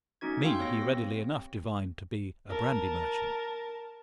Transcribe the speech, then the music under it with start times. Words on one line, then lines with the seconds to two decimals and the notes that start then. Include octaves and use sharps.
Me he readily enough divined to be a brandy merchant.
0.21 A3 C#4 D#4 F#4 G#6
0.44 F5 G5 C6 E6
0.59 B3 G4 C#5 E6 A#6
0.83 C4
2.50 A#4 A5